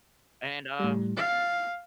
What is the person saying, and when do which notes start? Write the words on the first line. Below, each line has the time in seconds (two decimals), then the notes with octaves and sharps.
And, uh
0.79 A2 G3
1.17 F5 A6